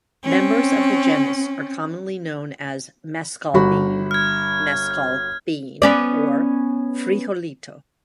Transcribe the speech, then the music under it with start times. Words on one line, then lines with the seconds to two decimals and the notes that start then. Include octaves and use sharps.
Members of the genus are commonly known as mescalbean, mescal bean or frijolito.
0.23 C4 C#4
3.54 G1 F#4 B5
4.11 F6 G#6
5.82 B3 C#4 D5